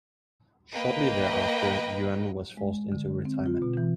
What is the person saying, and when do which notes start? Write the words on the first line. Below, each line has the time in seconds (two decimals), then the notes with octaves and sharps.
Shortly thereafter Yuan was forced into retirement.
0.73 A#3 B4 D#5 G5
2.57 G#3
2.92 D3
3.25 C4
3.46 F4
3.62 B2
3.77 E3